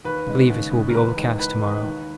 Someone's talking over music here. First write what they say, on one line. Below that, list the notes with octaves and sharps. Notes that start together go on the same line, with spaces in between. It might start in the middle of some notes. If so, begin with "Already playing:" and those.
I believe it will be overcast to-morrow.
D#2 B4
C#3 G#3
D#2
C#3 G#3
A#4
E2 B4
D#3 G#3
E2 B4
D#3 G#3
D#2